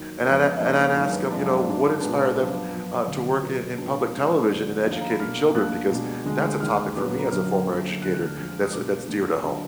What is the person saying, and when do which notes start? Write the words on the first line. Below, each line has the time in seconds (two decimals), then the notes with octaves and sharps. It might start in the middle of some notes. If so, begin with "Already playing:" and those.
and I'd and I'd ask 'em, you know, what inspired them, uh, to work in in public television and educating children because that's a topic for me as a former educator that's that's dear to home.
Already playing: D#2 D#3 F#3 A#4
0.25 F2 F3 G#3 B3 D4
0.60 F2 D#3 A#3 D4
0.95 F#2 D#3 G#3 D4 A#4
1.12 B4
1.31 F#2 F3 G#3 D4 D5
1.66 G#2 F#3 D4
2.01 A#2 G#3 B3 D4
2.37 F#2 F3 B3 D4
2.71 F#2 F3 B3
3.07 D2 D3 F#3
3.42 B2 F#3 B3
3.78 A#2 F3 G#3 B3 D4 B4
4.13 A#2 G#3 D4
4.48 D2 D3 F#3 B3 D5
4.84 F2 D#3 A#3 D4 D#5
4.93 F5
5.01 A#5
5.10 B5
5.19 B2 A#3 D4 F6
5.54 D2 D3 F3 A#3 D4 F#6
5.90 B2 G#3 D4
6.25 D2 D3 G#3
6.61 D#2 D#3 G#3 F6
6.96 A#2 F#3 B3 D4 D6
7.19 A#5
7.31 F#2 D3 F#3 F6
7.67 F#2 D3 F#3 A#3
8.02 D2 D3 F#3 D4 F#6
8.14 F#6
8.26 F6
8.37 F2 F3 G#3 D4 F6
8.49 F6
8.61 D#6
8.73 B2 G#3 D4 D6
9.08 D#2 D#3 A#3 D4
9.44 D3 F#3 D4 D#5